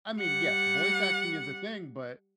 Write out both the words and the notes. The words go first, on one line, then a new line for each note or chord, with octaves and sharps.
I mean, yes, voice acting is a thing, but
G3 F#5